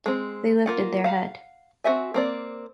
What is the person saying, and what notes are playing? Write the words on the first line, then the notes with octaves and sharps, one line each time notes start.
They lifted their head.
G#3 C4
A#3 F4 F#5
F5 F#5
C4 F#4 A4 E5 G#5
A#3 C4 D5